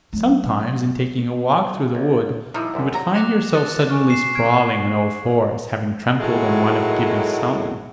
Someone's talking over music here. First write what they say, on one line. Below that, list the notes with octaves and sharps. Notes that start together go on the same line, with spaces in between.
Sometimes, in taking a walk through the wood, you would find yourself suddenly sprawling on all fours, having trampled on one of Gibbey's salmon.
F#3 A3
B1
D#3 F3 G3 D#4 E4
C2 F#2 C3
F#3 A#5
D6 F#6 A#6 C#7 E7 F7
D#6 F#6 A6 C#7
G#5 C#6 F6
C7 E7
F6 G#6 D7
A2 D#3 F#3 G#3 A3